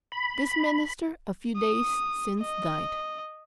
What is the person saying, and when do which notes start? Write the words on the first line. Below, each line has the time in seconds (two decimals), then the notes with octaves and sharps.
This minister a few days since died.
0.12 B5
1.57 D#6
2.40 D#5